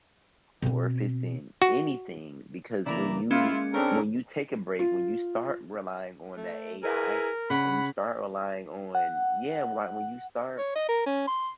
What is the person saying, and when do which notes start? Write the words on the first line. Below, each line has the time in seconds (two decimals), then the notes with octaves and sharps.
or if it's in anything. Because when you when you take a break, when you start relying on that AI, when you start relying on Yeah, why When you start
0.62 B2 C4
1.62 F#4
2.86 C#3 E3 A#3 E4 D5 A#5
3.31 G#3 A#3 C#4 E4 F4
3.73 C#3 C4 D4 A4 A#4
4.79 F4
6.37 A3
6.83 E4 G#4 A#4 B4 A#5
7.50 C#3 F#5 B5
8.95 F#5
10.58 C#5
10.76 D#5
10.89 A#4
11.06 C#4
11.27 C6